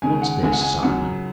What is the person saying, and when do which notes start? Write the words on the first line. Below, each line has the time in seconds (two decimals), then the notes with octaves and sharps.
"What's this, Simon?"
0.02 D#2 C#3 G#3 G#5
0.22 F#5
0.42 C#2 C#3 G#3 G#5
0.52 F#5
0.61 G#5
0.82 F#2 C#3 F#3 F#5